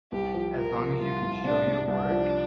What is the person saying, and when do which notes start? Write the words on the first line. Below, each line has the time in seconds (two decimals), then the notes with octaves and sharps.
as long as you can show your work
0.12 C2 G4
0.34 F3
0.56 F3 A#4
0.78 F3
1.00 C2 F4
1.22 C2
1.44 C3 D4
1.66 C3
1.88 C2 D4
2.11 F3